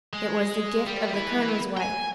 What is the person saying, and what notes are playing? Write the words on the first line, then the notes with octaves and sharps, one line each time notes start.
It was the gift of the colonel's wife.
G#3
G3
E4 B4
G5 G#5